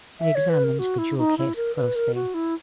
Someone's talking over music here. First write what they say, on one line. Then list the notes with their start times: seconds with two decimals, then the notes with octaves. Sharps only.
I examined the jewel-case closely.
0.20 E5
0.35 C#5
0.49 B4
0.64 A#4
0.79 F#4
0.98 E4
1.18 D#4
1.38 E4
1.56 A#4
1.75 B4
1.95 A#4
2.15 F#4
2.34 E4